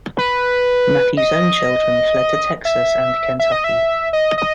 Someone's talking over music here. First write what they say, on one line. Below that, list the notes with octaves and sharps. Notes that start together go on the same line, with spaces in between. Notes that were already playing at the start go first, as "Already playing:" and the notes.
Mathews own children fled to Texas and Kentucky.
B4
D#5
E5
E5
D#5
E5
D#5
D#5